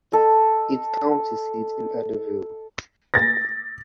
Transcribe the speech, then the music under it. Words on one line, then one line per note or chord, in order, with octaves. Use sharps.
Its county seat is Eddyville.
A4 D#5
A6 A#6